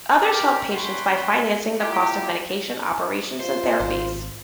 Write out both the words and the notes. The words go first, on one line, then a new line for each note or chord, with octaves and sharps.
Others help patients by financing the cost of medications, operations and therapies.
G4 A#4
F#2 G3 F#4 G5 B5 C6
A#3 E4 F4 G4
F4 C5
G#1